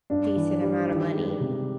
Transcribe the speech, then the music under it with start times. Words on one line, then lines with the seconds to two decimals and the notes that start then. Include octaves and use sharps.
decent amount of money
0.10 G2 D4
0.36 E3
0.62 G3
0.88 D#3
1.13 G#3
1.40 C3